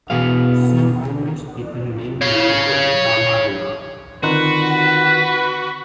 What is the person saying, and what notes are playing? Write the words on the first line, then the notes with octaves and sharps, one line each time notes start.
Some homeless people live near the Tama River.
E2 B2 B3 G#4 F5
C#5 F5
D3 D#3 C4 D#4 F4 F#4 B4